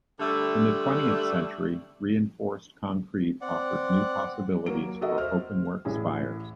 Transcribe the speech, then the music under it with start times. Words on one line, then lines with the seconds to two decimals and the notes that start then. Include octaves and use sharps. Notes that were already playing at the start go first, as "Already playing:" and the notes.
In the twentieth century reinforced concrete offered new possibilities for openwork spires.
0.18 D3 G3 A3
3.41 C4 D5 F#5
4.66 F#3 A#3 D7
5.01 F#4 A4 A#4 D#5 E5 F#5
5.18 C5 F6
5.85 A1 A2 G#4